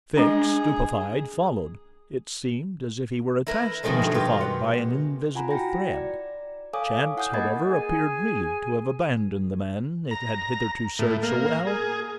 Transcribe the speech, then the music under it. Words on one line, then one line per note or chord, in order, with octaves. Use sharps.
Fix, stupefied, followed; it seemed as if he were attached to Mr. Fogg by an invisible thread. Chance, however, appeared really to have abandoned the man it had hitherto served so well.
G#3 D4 G#4
E4 A#4 B4
B2 D#3 F3 G#3 A3
G2
G#3 F4 G4
F#5
F4 F#5 G#5 A#5 B5
E4 F#4 G5 A#6
D5
A4 C#5 F5 G#5 D6 D#6
E4 F#5 G#5 D#6 G6
A#3 A#4 D#5 B5 G#6 A6
G#4 G#5
A#5
A2
A#3
G#4